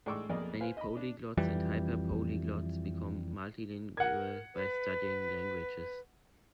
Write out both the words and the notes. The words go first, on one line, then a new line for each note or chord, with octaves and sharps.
Many polyglots and hyperpolyglots become multilingual by studying languages.
A2 G#3 D5 C#6 D6 E6
B1 F2 A#3 G#4 D5 D#5
B4 C5 F5 G#5
D#5 B5
D4
F2 E3 G3
A#4 F#5 G#6
B4